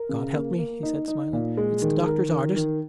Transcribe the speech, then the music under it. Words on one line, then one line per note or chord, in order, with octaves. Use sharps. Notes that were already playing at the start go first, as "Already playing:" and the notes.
"God help me," he said, smiling, "it's the doctor's orders."
Already playing: A#4
C#3
A#3
A#3
D#4
D#4
A#2
G#3
D#3
A#4
D#3
D#3